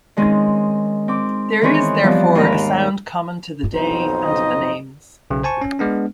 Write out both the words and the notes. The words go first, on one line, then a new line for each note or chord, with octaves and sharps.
There is, therefore, a sound common to the day and the names.
D#3 G#3 C4 C#4 D#4
C4 D6
D#3 E3 B3 C4 G#4 C#5
E3 F3 G3 B3 C4
D#2 G#2 A#4 A#5 B5
B1 F2 D#4 C5
D#5
B1 C#3
C5 G#5 A5 C#6
C#4
G#3 B3 D4